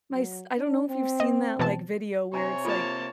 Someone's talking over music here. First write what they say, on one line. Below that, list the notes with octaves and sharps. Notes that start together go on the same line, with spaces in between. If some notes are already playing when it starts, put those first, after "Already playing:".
my s I don't know if you've seen that, like, video where it's like,
F#3
D4
C4
D#5
B2 E3 A5
C3 D4 C#5 G#5 A#5
A#3 F4 A4 A5